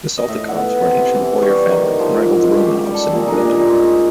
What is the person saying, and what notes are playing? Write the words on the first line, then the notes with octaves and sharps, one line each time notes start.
The Saltykovs were an ancient Boyar family, and rivalled the Romanovs in nobility.
D#5
A2 E5
F#5
B3
C3
E3
G3 C#5
D#3
F3
G#2
C#4 G4
G4
G3
A4
A#2 G#4
D#4
D4
A#2
D#4
G#3 C#4